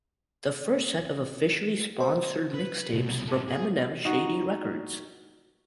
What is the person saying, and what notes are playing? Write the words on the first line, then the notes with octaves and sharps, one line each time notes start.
The first set of officially sponsored mixtapes from Eminem's Shady Records.
C5
B4
C2 B2
G#2 A4
G#4
D#4 F#4